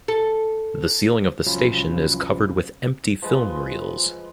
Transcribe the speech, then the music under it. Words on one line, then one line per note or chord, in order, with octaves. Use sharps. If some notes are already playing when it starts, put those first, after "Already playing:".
The ceiling of the station is covered with empty film reels.
A4
C2 F3 F#3 C#4 F4 B5
F3 G#3 B4